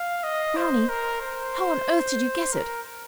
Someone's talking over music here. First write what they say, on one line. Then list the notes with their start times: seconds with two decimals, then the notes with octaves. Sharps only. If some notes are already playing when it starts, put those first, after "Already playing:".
'Brownie, how on earth did you guess it?
Already playing: F5
0.23 D#5
0.56 C5
0.89 A#4
1.21 C5
2.52 A#4